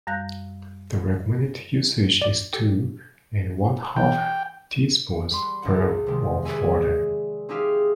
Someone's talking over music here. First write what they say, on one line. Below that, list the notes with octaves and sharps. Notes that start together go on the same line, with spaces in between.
The recommended usage is two and one-half teaspoons per of water.
F#2 G3 F5 F#6 G6 A#6
D5
G4 A4
E3 G5
G3 C6
C#2 F#5
C3 D#3 F3 G#3
G#4 B4 C#5 D5 E5 G#5
C4 D#4 G4 G#4 E5 F5